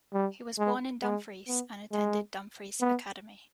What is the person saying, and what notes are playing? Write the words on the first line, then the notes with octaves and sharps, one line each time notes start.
He was born in Dumfries and attended Dumfries Academy.
G3
G#3
G#3
B3
G#3
B3